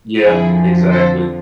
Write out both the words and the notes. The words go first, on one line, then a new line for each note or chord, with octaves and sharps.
Yeah, exactly.
F2 D3 F3 E4 G#4
A4 C5